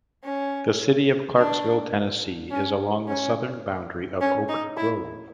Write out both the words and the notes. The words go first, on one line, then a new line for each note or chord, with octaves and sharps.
The city of Clarksville, Tennessee, is along the southern boundary of Oak Grove.
C#4
D4
C#4
C#4
C#4
D#4
E4